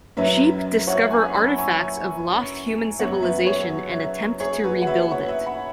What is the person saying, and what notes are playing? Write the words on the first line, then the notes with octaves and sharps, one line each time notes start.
Sheep discover artifacts of lost human civilization and attempt to rebuild it.
F#2 F#3 C#4 B4 E5
C#5 F#5
G#5 C#6
B5 E6
G#5 C#6
F#2 F#3 B3 C#5 F#5
B4 E5
G#4 C#5
G#4 C#5
F#4 B4
F#5
B4 E5
C#5 F#5
B4 E5
F#5 B5